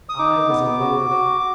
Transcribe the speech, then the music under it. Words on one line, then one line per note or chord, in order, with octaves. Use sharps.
I was a lord.
D#6
D#4 D6
B3
F#4
F#4